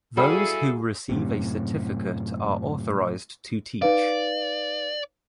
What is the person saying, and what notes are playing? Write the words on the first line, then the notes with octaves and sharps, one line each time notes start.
Those who receive a certificate are authorized to teach.
G3 E4 F#4 G#4 A4 F5
F#2 A2 C3
D#4 B4 D5 F5